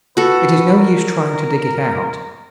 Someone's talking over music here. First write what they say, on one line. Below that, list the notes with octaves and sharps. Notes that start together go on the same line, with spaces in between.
It is no use trying to dig it out.
F#4 A4 B4
A#4